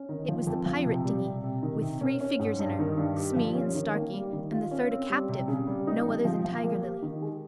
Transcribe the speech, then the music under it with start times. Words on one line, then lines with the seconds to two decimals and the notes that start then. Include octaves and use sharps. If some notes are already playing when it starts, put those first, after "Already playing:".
It was the pirate dinghy, with three figures in her, Smee and Starkey, and the third a captive, no other than Tiger Lily.
Already playing: C#4
0.09 D#3
0.28 F3
0.47 F2
0.66 F3
0.86 C3
1.05 G3
1.24 C3
1.44 C3
1.62 D#3
1.82 C3
2.01 C#4
2.20 C#4
2.39 G#2
2.59 G2
2.79 D#3
2.97 G2
3.17 G4
3.36 F3
3.55 C#4
3.75 D#3
3.94 A#3
4.14 G3
4.32 D#3
4.52 F4
4.71 C#4
4.91 C4
5.10 G3
5.29 C3
5.48 C#3
5.67 G3
5.87 D#4
6.06 F2
6.25 F3
6.44 F3
6.64 A#3
6.83 G4
7.02 D#3
7.22 G#3